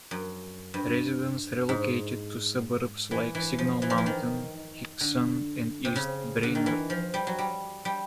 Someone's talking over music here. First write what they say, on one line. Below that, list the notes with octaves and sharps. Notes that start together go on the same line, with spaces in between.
Residents relocated to suburbs like Signal Mountain, Hixson, and East Brainerd.
F#2
G2
G#2
E3
E3
F3
E3
F3
E3
D#3
D3
C3
C#3
D3
D#3
E3
F3
G3
F#3
G3
G3